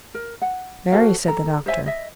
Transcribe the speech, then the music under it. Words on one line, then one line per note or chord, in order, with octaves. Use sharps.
"Very," said the doctor.
A#4
F#5
F#4 A4 C5 F5
A4 A#5
C5 C#5 E5 G#5
D#5 E5